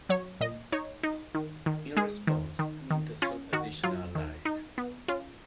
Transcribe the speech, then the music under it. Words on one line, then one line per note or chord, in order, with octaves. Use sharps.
In response, Amyntas sought additional allies.
F#3 C#5
A#2 D#5
D#4 C#5
D#4
D#3
D#3
G#3 G#4
D#3
D#3
D#3
C#4 F4
D#3 F#4
F#3 F4
D#3
D#4
B3
C#4 F4